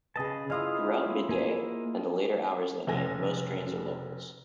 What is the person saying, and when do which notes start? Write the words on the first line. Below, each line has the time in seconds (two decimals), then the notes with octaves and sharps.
Throughout midday, and the later hours of the night, most trains are locals.
0.16 C#3 G#4 B4 D#5 A5
0.50 C#4 E4 F4 D#5 F5 D#6
1.29 A#3 G#5
2.87 F1 C#3 A3 G#5 A#6